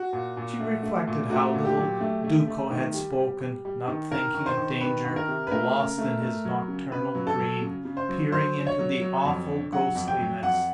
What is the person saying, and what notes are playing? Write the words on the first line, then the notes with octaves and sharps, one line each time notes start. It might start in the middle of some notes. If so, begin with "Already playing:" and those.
She reflected how little Duco had spoken, not thinking of danger, lost in his nocturnal dream, peering into the awful ghostliness.
Already playing: F#4
A#2
A#2
A3
A3
A#2
A3 F#4
A#2
G4
F#3
A3
A3
A3
D#3
G3
G3
G3
G3
D#3
D#3 A#4
D#3
C5
D#3
D#3 B4
D#3
A#4
C3
B4
A3 A#4
C#3
A3
A3
F#3
C#3
C#3 B4
F#3
A4
F#3
C#3
C#3
C5
F#3
F#3 C5
D3
C#5
F#3
F#3
F2
D3
F#3 F#5
F2
G5
F#3
F2 F#5